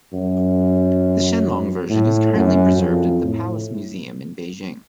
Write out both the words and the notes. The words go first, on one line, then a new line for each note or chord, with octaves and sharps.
The "Shenlong" version is currently preserved at the Palace Museum in Beijing.
F#2
A2
F#2
F2
A2